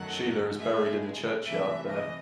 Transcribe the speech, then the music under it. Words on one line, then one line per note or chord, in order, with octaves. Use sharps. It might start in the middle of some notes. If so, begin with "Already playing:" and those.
Sheila is buried in the churchyard there.
Already playing: F#2 D#3 F#3 A3 F#5
A2 G#3 E5
C3 E3 A3 E5
D#5